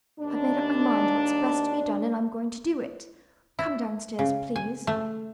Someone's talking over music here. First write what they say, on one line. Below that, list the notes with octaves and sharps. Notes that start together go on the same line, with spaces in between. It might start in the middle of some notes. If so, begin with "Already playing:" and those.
"I've made up my mind what's best to be done, and I'm going to do it. Come down-stairs, please."
D#2 D4
E4
C#3
G#5
A3